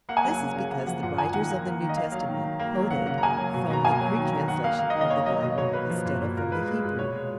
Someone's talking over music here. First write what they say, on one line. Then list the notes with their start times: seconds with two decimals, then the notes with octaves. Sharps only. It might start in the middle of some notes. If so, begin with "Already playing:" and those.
This is because the writers of the New Testament quoted from the Greek translation of the Bible instead of from the Hebrew.
0.09 A#3 F#5
0.17 G#5
0.24 F#3 F#5
0.40 C#3
0.55 C#3
0.71 A#3 F#5
0.87 F3 F#5
1.03 A#2 F#5
1.18 A#2 G#5
1.34 D#3 F#5
1.50 A#3
1.65 A#3
1.80 D#3
1.89 D#5
1.97 A#3 F5
2.12 F#3 F5
2.28 D#3
2.44 D#3
2.59 A#3
2.75 F#3
2.91 C#3 F#5
3.06 C#3 F#5
3.18 A#5
3.23 A#3 G#5
3.38 F#3
3.54 B2
3.70 B2 A#5
3.85 A#3 G#5
4.01 F#3
4.17 D#3
4.33 D#3
4.48 D#3 F#5
4.64 A#3 F5
4.79 A#3 F5
4.90 D#5
4.95 D#3
5.01 D#5
5.10 A#3 C#5
5.26 F#3 D#5
5.42 B2 D#5
5.58 B2 C#5
5.73 A#3 B4
5.90 F3
6.06 A#2
6.21 A#2
6.37 A#2 A#4
6.52 G#3 B4
6.68 G#3
6.84 A#2
6.99 B2 C#5
7.15 G#3